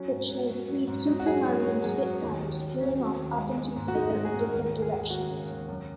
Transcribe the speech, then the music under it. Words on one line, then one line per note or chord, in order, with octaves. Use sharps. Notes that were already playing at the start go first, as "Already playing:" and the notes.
It shows three Supermarine Spitfires peeling off up into the air in different directions.
Already playing: F#3 C#4
G#2
F#3
F#3
F#3
G#2
F#3 D#4
F#4
F#3 G#4
F#3 C#5
F#2 C#5
F#2 G#4
F#3
D#2 D#4
D#2
F#3
D#2 C#4
F#3
D#2
G#3
G#3
G#2
F#4
G#3 D#4
D#4
G#2
G#4
G#2 A#4
D#2 A#4
D#2
G#4
D#2
D#2 F#4
C#3
D#2
F#2